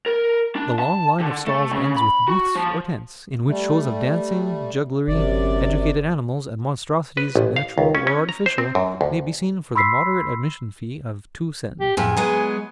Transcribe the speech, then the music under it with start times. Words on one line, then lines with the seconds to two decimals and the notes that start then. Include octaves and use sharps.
The long line of stalls ends with booths, or tents, in which shows of dancing, jugglery, educated animals, and monstrosities, natural or artificial, may be seen for the moderate admission fee of two sen.
0.06 A#4
0.56 D4
0.79 A5
1.20 D3
1.47 A3
1.71 C#3
1.97 B5
2.28 F#4
2.55 F3
3.48 G3 A3
5.08 G1 F#2 C3 D5
7.17 B4
7.36 A1
7.56 F5
7.78 C#2
7.95 C#4
8.07 C#4
8.29 A#5
8.46 C5
8.58 C4
8.75 F#2
9.01 D2
9.75 B5 C6 E6 B6 C7
11.81 G4
11.97 F2 A2 G#4
12.17 F#3 G#3 B3